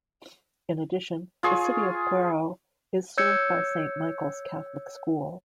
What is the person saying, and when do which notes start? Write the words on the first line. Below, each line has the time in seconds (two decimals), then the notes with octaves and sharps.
In addition, the City of Cuero is served by Saint Michael's Catholic School.
1.43 F4 G#4 C#5
3.17 C#5 E6 G6 G#6 C#7